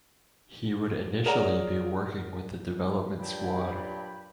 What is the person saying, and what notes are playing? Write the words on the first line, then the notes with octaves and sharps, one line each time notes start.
He would initially be working with the development squad.
G#4 A#4 C#5 D5 F#5 A#5
G2 A#2 F#3 D4 G5 B5